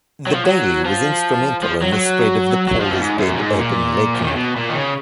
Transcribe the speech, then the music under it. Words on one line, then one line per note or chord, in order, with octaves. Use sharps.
The "Daily" was instrumental in the spread of the Paul is dead urban legend.
F#3
F3
F#3
F3
F3
F#3
F#3
F#3
F3
F#2
G#2
F#2
A#2
G#2
A#2
F3
D#3
C#3
B2
A#2
D#3
C#3